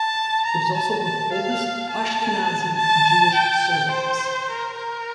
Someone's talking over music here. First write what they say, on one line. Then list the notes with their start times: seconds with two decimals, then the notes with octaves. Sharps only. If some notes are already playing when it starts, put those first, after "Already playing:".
It is also one of the oldest Ashkenazi Jewish surnames.
Already playing: A5
0.45 A#5
0.74 A5
1.03 A5
1.32 F5
1.90 A5
2.76 A5
3.34 G5
3.91 C5
4.50 A#4
4.78 A#4